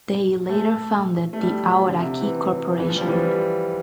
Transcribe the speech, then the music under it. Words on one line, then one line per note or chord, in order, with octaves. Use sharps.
They later founded the Aoraki Corporation.
A3
A3
G3
F3
D3
C3
E3
E3
F3
G3
F3
E3
F3
G3